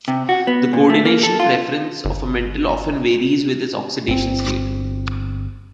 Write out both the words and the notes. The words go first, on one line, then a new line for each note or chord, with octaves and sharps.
The coordination preference of a metal often varies with its oxidation state.
C3
F#4
B3
A#2
A3
A#3
A4
F4
G1
G1 C4